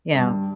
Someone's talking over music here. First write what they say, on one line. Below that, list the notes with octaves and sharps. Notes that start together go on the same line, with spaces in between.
you know,
G2